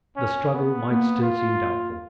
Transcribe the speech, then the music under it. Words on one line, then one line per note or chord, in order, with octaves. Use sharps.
The struggle might still seem doubtful.
C#4
B3
A#3 F#5
F4